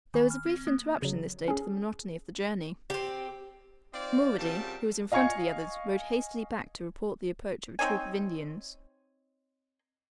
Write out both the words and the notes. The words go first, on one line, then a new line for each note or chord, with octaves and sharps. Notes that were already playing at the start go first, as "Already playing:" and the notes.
There was a brief interruption this day to the monotony of the journey. Mulrady, who was in front of the others, rode hastily back to report the approach of a troop of Indians.
D#3
F6
C4
A#3
C#3 F#3
C#4 G#4
C4 G4
C4 D#4 F4 C5 D5
A#2 C#3 G3 C4 F#4 A5
D#5 F5 G#5 C#6 G#6 C#7
C4 D#4 C#5 G#5